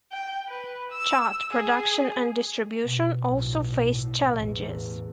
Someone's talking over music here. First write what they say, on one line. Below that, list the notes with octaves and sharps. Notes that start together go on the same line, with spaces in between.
Chart production and distribution also faced challenges.
G5
B4
E6
G#4
B2
B1 A2
A2
A1 E2